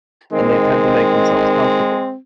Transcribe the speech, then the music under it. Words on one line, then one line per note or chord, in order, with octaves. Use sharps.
and they tend to make themselves comfortable.
D#3 G#3 C4